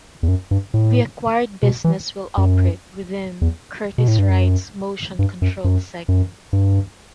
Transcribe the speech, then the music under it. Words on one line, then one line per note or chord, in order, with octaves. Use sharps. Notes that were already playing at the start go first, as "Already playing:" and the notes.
The acquired business will operate within Curtiss-Wright's Motion Control segment.
E2
F#2
G2
A2
B2
E3
F#2
E2
B2
A2
G2
F#2
G2
F#2
F#2
F#2
G2